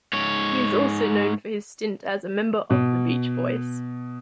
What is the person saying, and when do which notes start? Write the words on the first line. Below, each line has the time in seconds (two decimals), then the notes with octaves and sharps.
He is also known for his stint as a member of The Beach Boys.
0.13 G#2 C#5
2.70 B2